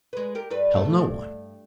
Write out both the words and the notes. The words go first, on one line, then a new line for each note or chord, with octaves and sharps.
Tell no one.
G#3 B4
G4 A#4
G2 G3 B4
B2 A3
G2